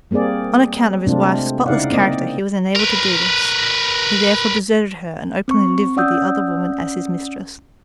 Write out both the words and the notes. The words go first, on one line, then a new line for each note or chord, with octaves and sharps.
On account of his wife's spotless character he was unable to do this; he therefore deserted her and openly lived with the other woman as his mistress.
G3 A#3 C4 G#4 D5
C3 G#3 A3 C4 D4 F4
C#3 D#4 E4 D5 F5 F#5
A#3 C4 D5 D#5
A#4 B4
C4 C#6
C#4 D5 F#5 D#6 E6 G6